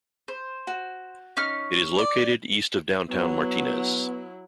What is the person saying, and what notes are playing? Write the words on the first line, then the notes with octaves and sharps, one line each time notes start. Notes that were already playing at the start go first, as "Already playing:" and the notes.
It is located east of downtown Martinez.
C5
F#4
C#4 D#4 F6
D5
F#3 B3 E4